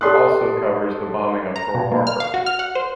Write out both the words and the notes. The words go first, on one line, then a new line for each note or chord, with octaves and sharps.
Also covers the bombing of Pearl Harbor.
G4 A4 D5 C6 D#6 F#6
A#5
B2
A#3
F6
F5
F#4
F6
F#5
C5